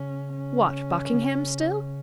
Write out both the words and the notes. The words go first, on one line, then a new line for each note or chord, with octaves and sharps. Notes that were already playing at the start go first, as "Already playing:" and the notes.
"What, Buckingham still?"
Already playing: C#3 C#4
C#4
C#3